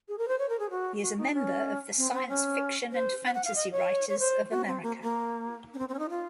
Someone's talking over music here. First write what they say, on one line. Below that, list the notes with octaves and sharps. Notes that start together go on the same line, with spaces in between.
He is a member of the Science Fiction and Fantasy Writers of America.
G#4
A#4
C5
C#5
A#4
G#4
F#4
F#4
D#4
C#4
C4
C4
C#4
C5
F#5
F#5
F5
D#5
C#5
C#5
C5
F#4
C4
A#3
A#3
C#4
C4
C4
C#4
D#4
F4